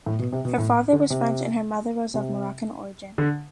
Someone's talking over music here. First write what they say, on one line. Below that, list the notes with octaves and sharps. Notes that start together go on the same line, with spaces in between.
Her father was French and her mother was of Moroccan origin.
A2
B2
C3
B2
A2
D3
C3
C3
D3